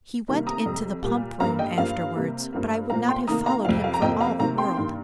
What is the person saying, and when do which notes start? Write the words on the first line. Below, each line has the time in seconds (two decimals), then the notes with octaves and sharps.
He went into the pump-room afterwards; but I would not have followed him for all the world.
0.28 C3 D#3 G3 A#3
0.47 A#5 D#6
0.66 F2 C3 G3
1.03 A#2 G3 A#3
1.40 G2 G3 A#3 F5 A#5
1.59 D#5 G5
1.78 G2 F3 A#3 F5
2.15 C3 G3 A#3
2.52 G2 F3 A#3
2.90 A#2 F3 A#3 F5 A#5
3.08 G5 C6
3.27 C3 D#3 A#3 A#5 D#6
3.46 F5 A#5
3.65 F2 C3 F3 F5
3.84 F5
3.94 A#5
4.02 F2 C3 F3 A#3 D#5 G5
4.20 F5 A#5
4.39 C3 D#3 A#3 F5 A#5
4.58 G5 C6
4.77 G2 D#3 A#3